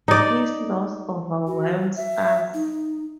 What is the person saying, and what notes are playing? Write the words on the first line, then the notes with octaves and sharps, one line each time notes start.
His loss overwhelms us.
D#4 D5
F#4
E5
D#4